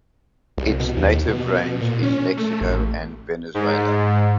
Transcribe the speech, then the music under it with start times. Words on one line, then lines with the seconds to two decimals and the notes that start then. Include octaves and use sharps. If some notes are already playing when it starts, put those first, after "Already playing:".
Its native range is Mexico and Venezuela.
0.58 C2
0.80 B2
0.97 D#2
1.27 B2
1.80 A#2
2.03 C#4
2.37 A3
2.61 A1
3.54 G#2